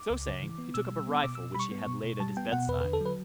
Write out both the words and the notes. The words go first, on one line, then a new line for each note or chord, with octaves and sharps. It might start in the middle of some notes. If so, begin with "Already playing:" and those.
So saying he took up a rifle which he had laid at his bedside.
Already playing: D6
C#2
C#3
E3
B3
B2 E6
G3
B3
B2 D6
B2 E6
G3 B5 C#6
B3
B2
B2
G3 A5
B3 G5
B2 F#5
E2 B4
D3 B4
A4
F#3 B4